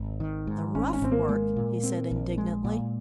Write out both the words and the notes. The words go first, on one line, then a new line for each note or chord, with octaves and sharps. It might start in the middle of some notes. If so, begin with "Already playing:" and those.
"The rough work!" he said indignantly.
Already playing: G#1
D#3
G#2
G#1 C#4
C#4
G#1 C4
A#3
G#3 A#3
A#2
C4
A#1
G#3
A#2